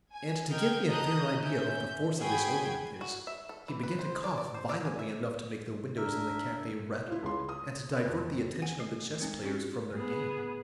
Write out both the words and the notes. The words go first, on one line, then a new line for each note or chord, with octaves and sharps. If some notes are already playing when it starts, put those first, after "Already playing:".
And to give me a fair idea of the force of this organ of his, he began to cough violently enough to make the windows in the café rattle and to divert the attention of the chess players from their game.
G#5
A#4 D#5 G5 F6 G6 G#6
D#5 A5 A#5 D#6 F#6 G6
C#4 E5 G6
F#4 G#4 G5 B5 G#6
F#4
E5
A4
E3
B4
C5
D5
D5
C5
D5
G#5
E5
D4 A#4 E5
E4 F4
C#2 C6
D#6
F2
F#5 G#5
A3
G#3 C4 D#4
C#4 F#4 G4
A2 B3 G#4